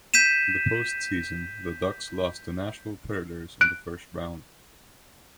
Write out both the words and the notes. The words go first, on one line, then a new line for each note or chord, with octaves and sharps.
In the post-season, the Ducks lost to the Nashville Predators in the first round.
G6 B6 D#7 E7
F#6 D7